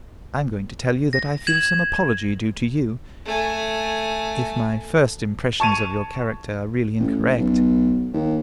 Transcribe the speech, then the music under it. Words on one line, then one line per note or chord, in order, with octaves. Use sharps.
I am going to tell you that I feel some apology due to you, if my first impressions of your character are really incorrect.
A#6
G#6 E7 F#7
A3 G#5
A5 C#6 G#6 D#7 F7
A1
B1
D#2